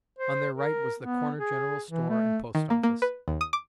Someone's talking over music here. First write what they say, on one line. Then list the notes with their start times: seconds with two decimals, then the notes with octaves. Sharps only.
On their right was the corner general store and post office.
0.18 C5
0.55 A#4
1.00 B3
1.38 G#4
1.91 E3
2.09 A3
2.55 D#3
2.70 A#3
2.83 A#3
3.02 B4
3.28 D#2
3.41 D#6
3.53 D6